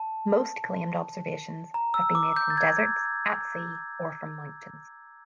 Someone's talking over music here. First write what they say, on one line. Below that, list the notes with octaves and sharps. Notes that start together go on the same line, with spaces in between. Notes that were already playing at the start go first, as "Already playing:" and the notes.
Most claimed observations have been made from deserts, at sea, or from mountains.
Already playing: A5
A#5
E6
D6
G6
A6
G#6